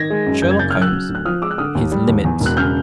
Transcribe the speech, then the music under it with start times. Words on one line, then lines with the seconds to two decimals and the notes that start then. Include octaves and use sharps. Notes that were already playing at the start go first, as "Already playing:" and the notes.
SHERLOCK HOLMES--his limits.
Already playing: D#3 G#6 A#6
0.10 G#3
0.26 F#2
0.42 F#1 G6
0.51 G#6
0.59 C#3 G6 A6
0.70 F6 G6
0.76 F#3
0.81 E6 F#6
0.92 C#3
1.09 D2
1.15 F#6
1.25 F3 D#6 F6
1.42 G#3 D6 E6
1.51 F#6
1.58 D3 D#6 F6
1.75 D#2
1.92 G3
2.07 D#2
2.24 E2
2.40 E1
2.46 F#6
2.57 C#3 F6 G6